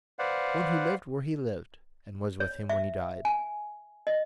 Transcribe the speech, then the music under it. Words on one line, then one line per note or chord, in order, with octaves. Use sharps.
"One who lived where he lived, and was with him when he died."
B4 C5 D5 F5 F#5
C#5
E5
G#5
D#5